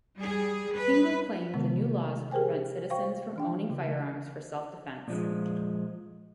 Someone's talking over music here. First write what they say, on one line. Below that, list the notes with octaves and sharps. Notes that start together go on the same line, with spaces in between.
Tingle claimed the new laws would prevent citizens from owning firearms for self-defence.
G3 G#4
B4
C3 D#3 G#3 B3
G4 G#4 A#4 C5 G5 G#5
C5 F5 G5 C#6
E3 D4 G5
C#3
A#2 F3 G#3